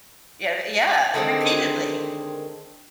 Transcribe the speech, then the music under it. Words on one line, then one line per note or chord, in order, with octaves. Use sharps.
Yeah, th yeah, repeatedly.
D3 D#3 G#3 C4